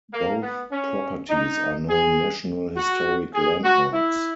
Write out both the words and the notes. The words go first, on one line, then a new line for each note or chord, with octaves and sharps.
Both properties are now National Historic Landmarks.
A#3
B3
C#4
D#4
G#4
F#4
G#4
F#4
E4